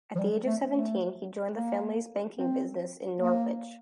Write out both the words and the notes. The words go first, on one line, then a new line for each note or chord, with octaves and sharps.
At the age of seventeen he joined the family's banking business in Norwich.
F3
G3
A3
A3
A#3
C4
A#3